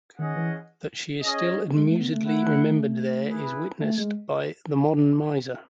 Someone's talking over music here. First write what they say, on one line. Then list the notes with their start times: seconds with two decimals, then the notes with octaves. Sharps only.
That she is still amusedly remembered there is witnessed by the modern Miser!
0.18 D#3 C#4 G#4 D#5 F#5
0.36 E3
1.22 C#4 G#4 D#5
1.74 G#3
1.87 A3
1.99 B3
2.12 A3
2.25 A3 E4 B4 F#5
3.29 E4 G#4 B4
3.80 A3
3.98 G#3